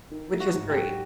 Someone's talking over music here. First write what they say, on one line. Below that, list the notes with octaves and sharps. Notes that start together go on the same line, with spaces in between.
which is great.
D#3
A3
F#4
G#2
G4
F#3